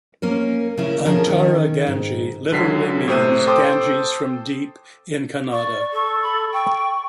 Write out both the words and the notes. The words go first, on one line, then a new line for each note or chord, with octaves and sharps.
Antara Gange literally means "Ganges from deep" in Kannada.
A#3 C#4 A#4
C#3 C#4 E4 A#4
D3 F3 C#4 G#4 A#4
D#3 C#4
G#2
C#2 D3 F#3 B6 C7
A2 C3 C5 E6 D#7
A4 C5 G5 C6 D6 D#6
D5 C#6
A4
B5
G5 C#6